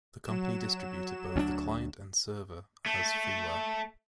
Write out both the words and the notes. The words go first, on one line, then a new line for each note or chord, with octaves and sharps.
The company distributed both the client and server as freeware.
F#3 E7
D2 C#4 D4
A3